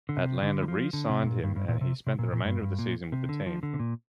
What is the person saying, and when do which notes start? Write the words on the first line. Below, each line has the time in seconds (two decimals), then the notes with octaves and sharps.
Atlanta re-signed him, and he spent the remainder of the season with the team.
0.09 D3
0.17 C3
0.42 D3
0.62 G3
0.68 F3
0.93 D3
1.09 C3
1.23 G2
1.26 A#2
1.43 G2
1.56 G2
1.68 A#2
1.81 C3
2.07 C3
2.19 A#2
2.32 A#2
2.45 G2
2.62 G2
2.79 A#2
3.12 C3
3.29 D3
3.46 F3
3.63 D3
3.73 C3
3.79 A#2